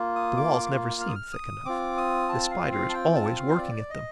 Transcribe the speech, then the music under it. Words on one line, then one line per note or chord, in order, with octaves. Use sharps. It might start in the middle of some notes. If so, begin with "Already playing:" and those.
The walls never seem thick enough; the Spider is always working at them.
Already playing: A#3 F4
D#6
D6
F6
D#6
F6
D#6
C4 F4 D6
D#6
A5
F5
F5
A5
G5
A5
F5
C5
D5
D#5